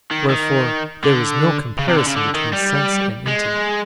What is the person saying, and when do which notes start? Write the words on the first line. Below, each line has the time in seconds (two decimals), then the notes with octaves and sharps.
Wherefore there is no comparison between sense and intellect.
0.11 D#3
0.30 D#3
1.04 D3
1.79 C#3
1.88 C3
1.97 D3
2.06 C#3
2.16 D3
2.35 D#3
2.53 G3
3.27 G#3